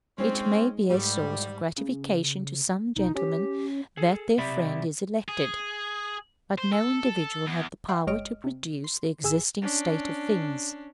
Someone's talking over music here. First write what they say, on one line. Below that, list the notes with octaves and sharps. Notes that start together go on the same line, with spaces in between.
It may be a source of gratification to some gentlemen that their friend is elected; but no individual had the power to produce the existing state of things.
G#3 C4 C#4 D#4 C5
G#2 G3 A3 G4
C#3
B1 D#4
C#4 G4
G#4 A4
B1 C3 G4 D5 E5 B5
G#4
C5
A4
E2
E5 F#5 G5 C6
G1 G#3 C#5 D#5 F6 D7
C3
C6
G#1 G#4 G#5 E6 E7
C#4 D4